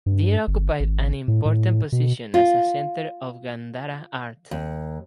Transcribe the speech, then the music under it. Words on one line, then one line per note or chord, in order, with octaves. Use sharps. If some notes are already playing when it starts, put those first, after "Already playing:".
Dir occupied an important position as a centre of Gandhara Art.
G2
G1
G#1
A2
A2
B2
F4
D#2